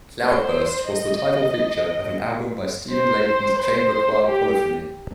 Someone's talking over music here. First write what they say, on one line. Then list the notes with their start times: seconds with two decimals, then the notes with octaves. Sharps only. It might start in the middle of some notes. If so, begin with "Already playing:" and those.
"Cloudburst" was the title feature of an album by Stephen Layton's chamber choir Polyphony.
0.24 C5
0.90 D#5
2.92 C5
3.59 C5
4.26 G4